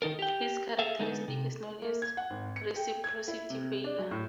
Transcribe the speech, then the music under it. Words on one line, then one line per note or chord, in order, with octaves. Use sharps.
This characteristic is known as "reciprocity failure".
D#3 D#4 A4 A#4
G4 G5
G#4 A4 E5 F5
D3 G#3 B3 D#4 A4
C3
A#3
G#6
F#5
G#1
C#7
G5
G#6
E4
C3
D4
F#3
A2